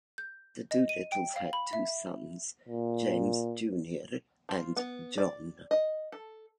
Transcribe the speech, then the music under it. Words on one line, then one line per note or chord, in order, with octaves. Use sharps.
The Doolittles had two sons, James Junior and John.
G6
D#5
D#7
G5
F5
B5
E5
A#2
F3
B3
D5
D#5
A4